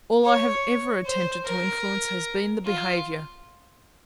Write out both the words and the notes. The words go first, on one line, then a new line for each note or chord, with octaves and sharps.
All I have ever attempted to influence has been the behaviour.
C#5
C5
A#4
F4